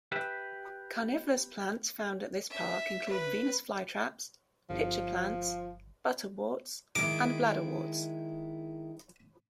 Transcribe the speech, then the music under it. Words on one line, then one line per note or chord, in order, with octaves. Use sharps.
Carnivorous plants found at this park include Venus flytraps, pitcher plants, butterworts and bladderworts.
G4 B4 E5
E5
B4
G1 F3
D#3 G#3 E4 D6